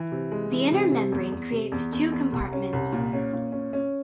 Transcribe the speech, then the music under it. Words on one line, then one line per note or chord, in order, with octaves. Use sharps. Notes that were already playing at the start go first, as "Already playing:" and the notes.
The inner membrane creates two compartments.
Already playing: E3
C3
G#3
E3
C3
C3
E2
E2
C3
E2
E2
E2
C2
C#4
C2
A#2
C#4
A#2
C#4
C#4